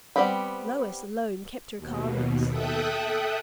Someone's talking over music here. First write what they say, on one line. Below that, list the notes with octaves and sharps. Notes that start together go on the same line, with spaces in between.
Lois alone kept her calmness.
G3 B3 C4 G4 B5
D#2 B2
A4 E5 G5 D#6 F#6